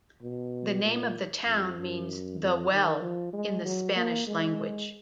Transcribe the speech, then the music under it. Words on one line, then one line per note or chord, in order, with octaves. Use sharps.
The name of the town means "The Well" in the Spanish language.
B2
A#2
F2
F#2
F2
D#3
F3
G#3
F#3
A#3
G#3